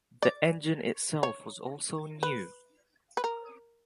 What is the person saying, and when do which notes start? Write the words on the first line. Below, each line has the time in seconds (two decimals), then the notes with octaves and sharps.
The engine itself was also new.
0.22 D5
1.23 C#5
2.23 B4
3.17 B4
3.24 A#4